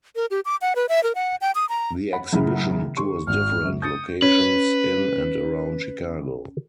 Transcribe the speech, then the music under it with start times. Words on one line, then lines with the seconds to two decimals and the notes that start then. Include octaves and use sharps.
The exhibition tours different locations in and around Chicago.
0.16 A#4
0.31 G4
0.45 D6
0.62 F#5
0.76 B4
0.89 E5
1.03 A#4
1.15 F#5
1.41 G5
1.55 D#6
1.69 A#5
2.13 F#5 B5
2.33 F#2 A2 C#3
2.97 D3 G4 C6 C#6
3.27 G#1 F6
3.64 F#2
3.82 D#6 G6 A6 C#7
4.22 C#4 B4